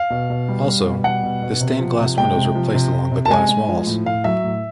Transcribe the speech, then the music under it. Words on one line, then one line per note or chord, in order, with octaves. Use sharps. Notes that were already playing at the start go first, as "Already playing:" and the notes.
Also, the stained glass windows were placed along the glass walls.
Already playing: F5
B2
B2
G3
G3
B2
G3 F#5
B2
B2
C3
F3
C3
G#3 G5
C3
F3
C3
C3
C3
A5
G#3 G#5
G#3
F3
A2
A2 F5
F#3 E5
A2